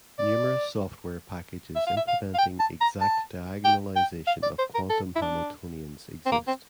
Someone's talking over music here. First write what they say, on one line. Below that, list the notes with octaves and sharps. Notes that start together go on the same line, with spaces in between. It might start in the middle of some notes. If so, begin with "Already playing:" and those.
Numerous software packages implementing exact diagonalization of quantum Hamiltonians exist.
D5
E5
F5
E5
F5
F5
G5
A5
A#5
A5
G5
G5
F5
D5
C5
A#4
A4
E4
D4
C4
A#3
C4